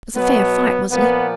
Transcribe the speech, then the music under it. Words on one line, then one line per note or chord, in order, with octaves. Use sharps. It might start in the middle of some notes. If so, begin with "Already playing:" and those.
It was a fair fight, wasn't it?'
B2 F#3 B3
A#2 F3 B3